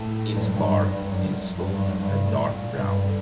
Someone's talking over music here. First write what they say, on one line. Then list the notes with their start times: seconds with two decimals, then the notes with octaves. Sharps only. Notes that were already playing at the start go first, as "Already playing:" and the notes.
Its bark is smooth and dark brown.
Already playing: A2
0.36 G2
0.41 F#2
0.55 G2
0.67 G2
0.81 F#2
0.94 G2
1.11 F#2
1.30 F#2
1.60 G2
1.68 F#2
1.74 G2
1.86 F#2
1.99 G2
2.22 A#2
2.26 A2
2.52 A#2
2.78 G2
3.05 D3